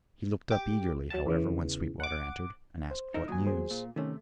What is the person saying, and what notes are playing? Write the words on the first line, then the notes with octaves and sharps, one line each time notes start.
He looked up eagerly, however, when Sweetwater entered, and asked what news.
G4 D6
F#3 A5
E2 C#3 E3
F#5 D6
C5
D#4 E4 A#4
D#2 A#2 F#3 G#5 D#6
G#4 C5
A#2
C3 D#3 A3 C#4